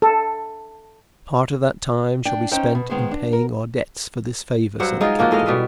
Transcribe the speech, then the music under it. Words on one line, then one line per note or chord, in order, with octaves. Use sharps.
"Part of that time shall be spent in paying our debts for this favour," said the captain.
A4
D4 D5 G5
C#4 D#4 C5 D#5 G5
B2
D#3 G#3 B3 C5
D4
A#4
G2 F#3 C5 F#5
G#3 D#4 F4
F3 A#3 F4 F#4
A2 G#3 D#5 F5
B2 G3 F4 E5